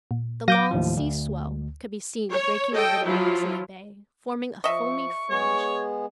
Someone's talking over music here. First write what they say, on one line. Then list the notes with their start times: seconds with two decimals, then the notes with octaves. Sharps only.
The long sea-swell could be seen breaking over the rocks in the bay, forming a foamy fringe.
0.11 A#2
0.48 F#3 F5 D6 G6 A#6 D#7
0.71 D#2 A2 F3
0.97 D2
2.31 C#5
2.73 A4 D#5 G5
3.06 F3 F#3 E4 F4
4.64 F3 D#5 E5 C#6
5.30 G#3 B3 G#4 C#5